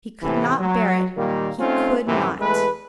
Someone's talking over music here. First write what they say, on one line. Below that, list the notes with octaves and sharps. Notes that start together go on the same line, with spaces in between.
He could not bear it--he could not!
A2 C3 E3
F#3
A#2 D#3 G3 A#3
A3 C4 C#4 D#4 F4
F#2 A2 C3 D#3 E3
E2 G#3 A3 B4